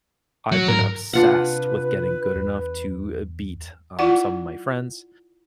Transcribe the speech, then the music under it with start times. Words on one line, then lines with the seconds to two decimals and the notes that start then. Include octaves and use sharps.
I've been obsessed with getting good enough to, uh, beat, um, some of my friends
0.52 F#3
0.68 G#2 A#4
1.13 C3 D4 F4 B4 F#5
2.35 E2
3.99 E4 F4 D5 F#5